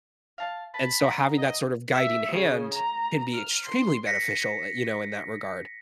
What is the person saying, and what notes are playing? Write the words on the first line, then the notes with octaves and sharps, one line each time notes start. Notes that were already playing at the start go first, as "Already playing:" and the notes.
And so, having that sort of guiding hand can be extremely beneficial, eh, you know, in that regard.
F5 A5
A5 B5
F#5 G5 A#5
D#5
E5
C#3
A#5
F6
C6
A#6 B6 C#7